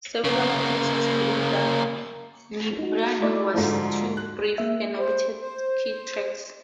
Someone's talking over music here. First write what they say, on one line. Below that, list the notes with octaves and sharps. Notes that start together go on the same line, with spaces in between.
Several critics believed that "Nirvana" was too brief, and omitted key tracks.
C#3 A#3
D#4 F#4
A3 E4 D5
G#2 D3 F3
F#6
A#3 E5
C5
C5